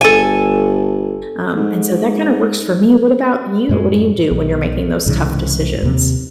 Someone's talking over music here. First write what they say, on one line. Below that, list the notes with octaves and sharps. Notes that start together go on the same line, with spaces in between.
um, and so that kinda works for me. What about you? What do you do when you're making those tough decisions?
G1 A4 G#5
G#2
F#2 A2 G#3
B1
C2 G#2 C#3 E3
D#2 C3 C4